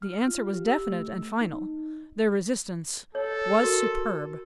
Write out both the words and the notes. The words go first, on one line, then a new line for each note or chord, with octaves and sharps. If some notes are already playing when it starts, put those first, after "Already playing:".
The answer was definite and final. Their resistance was superb.
F6
F4
G4
E6
A3
D#4
A4 C#5
F#4 A#4